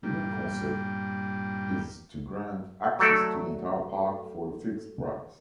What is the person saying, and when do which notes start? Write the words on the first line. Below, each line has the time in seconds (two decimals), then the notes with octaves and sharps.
The new concept is to grant access to the entire park for a fixed price.
0.03 G2 A#2 G3
2.99 F#3 A3 A4 D5